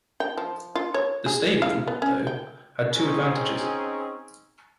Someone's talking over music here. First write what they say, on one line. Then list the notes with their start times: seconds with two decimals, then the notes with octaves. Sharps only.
The stadium, though, had two advantages.
0.20 G5
0.37 F3
0.75 F4
0.94 C#5
1.26 G#4
1.62 F5
1.88 B3
2.02 C#4
2.27 G5
2.92 C4 C#4 D#4 G#4